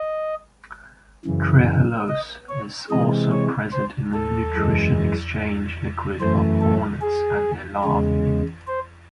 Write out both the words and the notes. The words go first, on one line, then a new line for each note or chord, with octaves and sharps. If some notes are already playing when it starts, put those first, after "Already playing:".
Trehalose is also present in the nutrition exchange liquid of hornets and their larvae.
Already playing: D#5
F#2 C#3 E3
D#5
C#5
C3 E3 G#3 D#5
C#5
C5
A4
F#2 E3 G#3
F#2 E3 A3 C5
A4
G#4
E2 C#3 G#3
C5